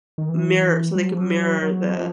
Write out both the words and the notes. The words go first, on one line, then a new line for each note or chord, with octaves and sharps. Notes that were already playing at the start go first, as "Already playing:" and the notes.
mirror so, they can mirror the
D#3
E3
G3
F#3
F3
F#3
F#3
F3